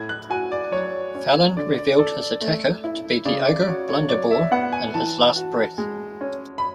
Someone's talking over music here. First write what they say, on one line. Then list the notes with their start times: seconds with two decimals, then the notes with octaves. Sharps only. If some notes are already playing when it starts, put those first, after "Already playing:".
Fallon revealed his attacker to be the ogre Blunderbore in his last breath.
Already playing: A2 G#6
0.09 F#6
0.30 F#4 G#5
0.52 D5
0.72 F#3 C#5
1.15 C#4
1.57 D3 D5
1.78 D5
1.99 A4 D5
2.41 A3
2.84 E4
3.25 C#3 D5
3.46 D5
3.62 D5
3.67 F#4 C#5
3.89 C#5
4.09 F#3 D5
4.31 E5
4.51 B3 F#5
4.73 G#5
4.94 E3 A5
5.36 F#4
5.78 G#3
6.21 C#4
6.58 B5